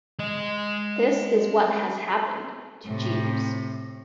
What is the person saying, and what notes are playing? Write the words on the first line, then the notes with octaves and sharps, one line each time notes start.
That is what has happened to Jeeves.
G#3 D#5
A2 C3